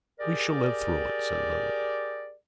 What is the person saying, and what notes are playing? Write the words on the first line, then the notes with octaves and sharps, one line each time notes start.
"We shall live through it," said Lily.
G4 G#4 A#4 D5